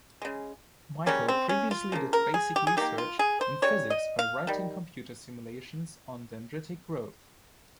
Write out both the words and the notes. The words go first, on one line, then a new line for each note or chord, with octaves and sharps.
Michael previously did basic research in physics by writing computer simulations on dendritic growth.
C#3 G#3
C#3 G3 A#3 C#4
C4
C#4
F4
C#3 F3 A#3
A#4
G#4
G4
G#4
D#3 A#3 G4
F4
G#4
C5
C#3 G3 C#5
D#5
F5
D#3 G3